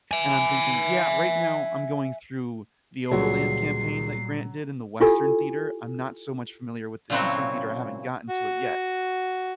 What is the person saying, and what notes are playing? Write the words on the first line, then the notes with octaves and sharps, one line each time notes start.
and I'm thinking, "Yeah, right now I'm going through the Overland Campaign that Grant did in the Western Theater, I'm not so much familiar with the Eastern Theater, I haven't gotten to it yet."
E5 G#5
C#2 A#2 F#3 G3 C7
E4 F4 G4 A4 G#5
A#2 C#3 F#3 C4 E4 F#4
F#4